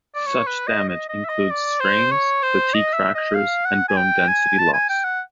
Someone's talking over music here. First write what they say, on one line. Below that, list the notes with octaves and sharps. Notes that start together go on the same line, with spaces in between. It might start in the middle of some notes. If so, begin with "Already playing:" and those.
Such damage includes strains, fatigue fractures, and bone density loss.
D5
C#5
B4
D#5
D#5
D#5
E5
D#5
D5
C5
C#5
C5
D#5
E5
D#5
F5
F#5
G#5
G5
G#5
A5
G#5
G5
F#5